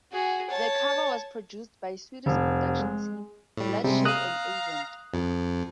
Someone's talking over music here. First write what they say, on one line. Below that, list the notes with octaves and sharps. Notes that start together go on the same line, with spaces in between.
The cover was produced by Swedish production team Bloodshy and Avant.
F#4 G#4
C#5 A5
F1
G#3
A2 G3
C3 G3 G#3
F5 A#5 D#6 F#6
F2